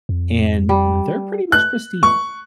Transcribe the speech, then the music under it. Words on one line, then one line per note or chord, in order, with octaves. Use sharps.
and they're pretty much pristine.
F2
G3
F#6
C#6